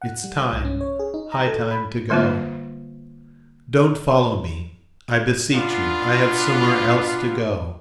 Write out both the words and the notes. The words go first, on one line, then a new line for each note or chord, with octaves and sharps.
It's time, high time to go. Don't follow me, I beseech you, I have somewhere else to go....
F#5
G3
C2
C#4
C#5
G#4
D#4
A#5
A4
B5
D3 G3 A#3 C4 F4 C5
B3 D4 F4